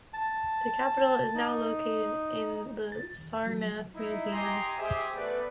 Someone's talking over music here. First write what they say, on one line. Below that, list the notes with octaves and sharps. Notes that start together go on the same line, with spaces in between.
The capital is now located in the Sarnath Museum.
A5
D#4
A6
D#2
F#3
D#4 E4
G4 D#5 G#5 A#5 C6
G4 G#4 C5 E5
A3 B3 B4 D5